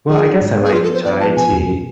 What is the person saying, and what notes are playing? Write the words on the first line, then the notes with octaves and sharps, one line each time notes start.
Well, I guess I like chai tea.
F3 G#4
D4
G#2
B3
G#4
F3 F4
A4
B3 C5
B3 D5
F3 A5
B2 G#5
E2